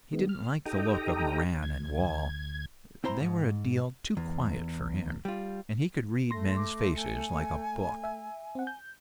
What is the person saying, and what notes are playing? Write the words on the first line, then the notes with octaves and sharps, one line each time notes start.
He didn't like the look of Moran and Wall--they were a deal too quiet for him, and he could read men's faces like a book.
D#3 G#3 B3
F6
D#4 G4 A4 G5 A#5 D#6
D2 G#6
C4 E4 C5 A#5 C6
G#2
E2
G3 F4
A3 C6 A#6
D6
G#5 C#7
E5
C4 F#5
G6